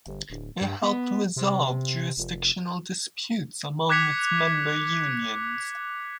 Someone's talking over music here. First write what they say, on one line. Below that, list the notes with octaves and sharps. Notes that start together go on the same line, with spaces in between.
It helped resolve jurisdictional disputes among its member unions.
G1
D1
G2
B3
C3
F1
D6 F#6 G#6 B6 C#7 F7